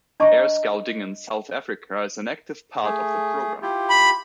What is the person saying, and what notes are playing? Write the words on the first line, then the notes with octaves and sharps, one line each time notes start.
Air Scouting in South Africa is an active part of the program.
D4 D#5 A5 A#5 C#6 D6
A3 G#4
E4 F4 G4
B5